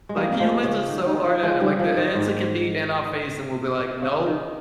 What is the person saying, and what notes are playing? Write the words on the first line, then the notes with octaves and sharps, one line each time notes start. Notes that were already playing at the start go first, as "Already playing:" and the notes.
Like, humans are so hardheaded, like, the answer could be in our face, and we'll be like, "Nope."
G#3
G3 A#3
A#3
F3 G#3
C#3
D#3
D#3
F3
F3 G#3
D#3 G3
F3
D#3
G#2
C3
C#3
D#3